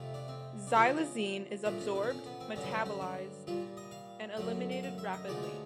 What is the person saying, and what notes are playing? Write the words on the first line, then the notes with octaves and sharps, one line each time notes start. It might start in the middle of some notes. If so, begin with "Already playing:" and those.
Xylazine is absorbed, metabolized, and eliminated rapidly.
Already playing: F2 C3 F3 A3
D4
C4
D4
E2 C#3 F3 G#3 C#4
A#2 F3 A3 D4
C#4
D4
C4
C#4
B3
C4
G2 D3 F#3 C#4
B3
C4
C#4
D4
A#2 G3 F4
D#5
F5
F#2 D3 F#3 A3 F#5
F#5
F5
E5
D#5
D2 D3 F3 G#3 D5
C#5